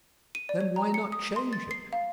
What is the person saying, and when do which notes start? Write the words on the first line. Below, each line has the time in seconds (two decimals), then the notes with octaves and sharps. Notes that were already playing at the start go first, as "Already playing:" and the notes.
"Then why not change it?"
0.35 D#7
0.49 D5
0.61 C#5
0.76 A#5
0.94 C#7
1.12 D#6
1.36 C6
1.53 A6
1.71 C7
1.93 F5